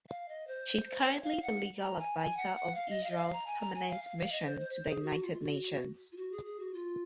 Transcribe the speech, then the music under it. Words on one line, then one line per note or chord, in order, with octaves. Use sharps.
She is currently the Legal Advisor of Israel’s Permanent Mission to the United Nations.
F5
D#5
C5
C#5
F5
F#5
A#5
G#5
G#5
F#5
F#5
F5
D#5
F5
D#5
F5
A#5
G#5
A#5
G#5
F5
F5
F5
D#5
C5
C5
C5
G#4
F#4
F4
F4
F#4
F4
F#4
G#4
G#4
F#4
F4